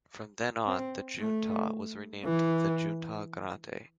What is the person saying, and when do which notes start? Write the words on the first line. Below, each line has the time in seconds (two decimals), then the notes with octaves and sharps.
From then on, the Junta was renamed the "Junta Grande".
0.67 C4
1.20 A3
2.25 E3